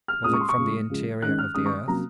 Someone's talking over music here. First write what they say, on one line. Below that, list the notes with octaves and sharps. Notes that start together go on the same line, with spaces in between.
Was it from the interior of the earth?
F6
A#2 G#3 C#4 D#6
C#6
C6
C#6
C#3 F3 G#3
C#3 F3 G#3
D#3 G#3 C#4 F#6
F6
D#3 G#3 C#4 D#6
C#6
C3 F#3 A#3 C#4 A#5